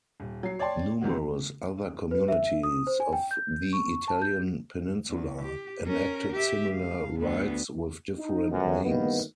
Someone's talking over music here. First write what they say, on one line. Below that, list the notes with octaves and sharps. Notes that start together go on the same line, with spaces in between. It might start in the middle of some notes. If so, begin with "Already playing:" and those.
Numerous other communities of the Italian peninsula enacted similar rites with different names.
D#1
F#3 C7
C#5 D5 G5 A5 C6
C3 D#3 E3 F#4
B4
E5
D#6
C5
G#5
G5
G6
C#6
A5
G6
E2
G4
C#4 A#4
G4 E5
F5
D2 B3
D#4
G1 F#2
D2 G2 D#3 A#3 B3